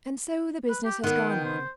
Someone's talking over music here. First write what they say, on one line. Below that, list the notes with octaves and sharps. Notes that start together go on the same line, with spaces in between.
And so the business has gone on.
B4
G4
D#3 B3 F#5
G5
C5